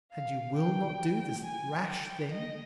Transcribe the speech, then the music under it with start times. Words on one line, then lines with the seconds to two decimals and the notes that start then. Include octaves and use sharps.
"And you will not do this rash thing?"
0.12 F5
0.56 G5
1.44 G#5
1.88 G5
2.32 D#5